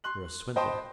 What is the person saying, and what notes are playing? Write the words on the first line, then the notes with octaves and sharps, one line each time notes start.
"You're a swindler!"
C6 F#6 F#7
C5 D#5 G5 A5 B5 C6